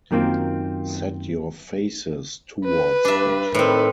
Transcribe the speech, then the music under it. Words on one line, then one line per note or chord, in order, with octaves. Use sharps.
Set your faces towards it.
F#2 D#3 A#3 C4 F4
B4
G2 D4 E5
A2 D#3 C4 B4